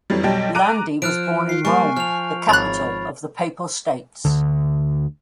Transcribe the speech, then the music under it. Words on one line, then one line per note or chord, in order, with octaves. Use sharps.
Landi was born in Rome, the capital of the Papal States.
F2 E3 F#3 G3
B1 F#3 G3 G5 A5
A#5 D6 F#6 D7 D#7
F3 F6 F#6 D7
F4 C7
G3 A#3 G#5 C#6
F3 F6 F7
G#1 C#5 B5 F#6 A6
D2 D3